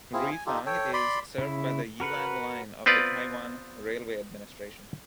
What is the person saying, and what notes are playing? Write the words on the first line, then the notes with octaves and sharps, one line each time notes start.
Ruifang is served by the Yilan Line of the Taiwan Railway Administration.
C4 E4 F4 G#4
G#5
D#4 F4 G4 A4
A4 C#5 G5
D5 B5 C6
C#3 E4
F#4 A#4 B4 F#5
B3 C4 F4 B4 D5